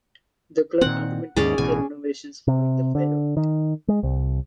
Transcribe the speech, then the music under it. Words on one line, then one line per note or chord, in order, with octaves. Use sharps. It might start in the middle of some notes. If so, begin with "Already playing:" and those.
The club underwent major renovations following the fire.
A#2 D#3 C4 F#5
D#2 G#2 C#4 G#4 D5
A1 B2 E3 G#5
C3
D3
D#3
G#3
C2